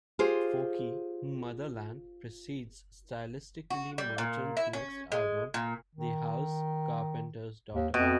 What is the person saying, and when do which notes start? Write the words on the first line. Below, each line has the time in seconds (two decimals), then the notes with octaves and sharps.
Folky "Motherland" precedes stylistically Merchant's next album, "The House Carpenter's Daughter".
0.19 F4 G4 G#4 C5
3.70 F#4
3.98 G3
4.18 A#2
4.57 E4
4.73 C#4
5.12 G#3
5.54 A#2
5.95 D#3
7.74 D#2
7.94 F2 B2